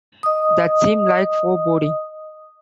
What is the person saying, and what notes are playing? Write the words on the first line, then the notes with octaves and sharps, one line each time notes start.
That seemed like foreboding.
D#5 D#6